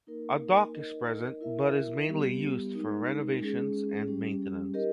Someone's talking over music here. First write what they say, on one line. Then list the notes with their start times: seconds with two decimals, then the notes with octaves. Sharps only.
A dock is present but is mainly used for renovations and maintenance.
0.07 A#3 D#4 A#4
0.74 D#4 A#4 D#5
1.41 E4 A#4 E5
2.07 G3 B3 G4
2.74 G#3 D#4 A#4
3.40 G#3 C#4 G#4
4.07 G3 C#4 G4
4.73 D#4 G4 A#4 D#5